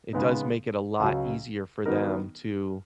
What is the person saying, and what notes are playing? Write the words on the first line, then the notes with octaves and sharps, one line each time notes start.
it does make it a lot easier for them to
C#3 G#3 B3 D#4
C#2 C#3 F#3
D#3 F#3 B3 D#4 A#4